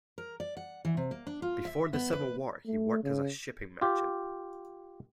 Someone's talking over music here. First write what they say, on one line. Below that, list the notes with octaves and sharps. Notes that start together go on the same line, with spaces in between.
Before the Civil War, he worked as a shipping merchant.
A#4
D5
F#5
E3
C3
A#3
D4
F4
E5
B3
B4
A3
C#3
F4 G4